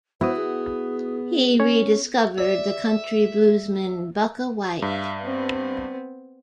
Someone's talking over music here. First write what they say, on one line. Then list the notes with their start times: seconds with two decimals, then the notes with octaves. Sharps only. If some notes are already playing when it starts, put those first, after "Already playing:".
He rediscovered the country bluesman Bukka White.
0.21 B3 E4 F#4 C5 D#6
0.36 G#4
1.60 C#4 C#5
2.38 D5 E5
4.82 G2 E5 F5
5.23 B3 C4